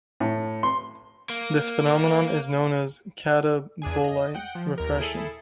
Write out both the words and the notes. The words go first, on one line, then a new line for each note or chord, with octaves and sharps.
This phenomenon is known as catabolite repression.
A2
C6
A#3
E2 D4 G#4 G#5
D#5
F#5 G5
F3
D#2 A#4
E4 G#4 A4